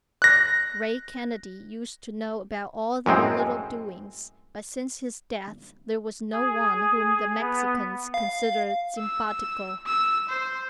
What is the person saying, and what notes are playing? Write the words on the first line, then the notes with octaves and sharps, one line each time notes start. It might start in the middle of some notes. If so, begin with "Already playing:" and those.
Ray Kennedy used to know about all their little doings, but since his death there was no one whom the Mexicans considered SIMPATICO.
F#6 A#6
F#2 A2 G#3 C4
G#4
B3
F5
E6
E6
C5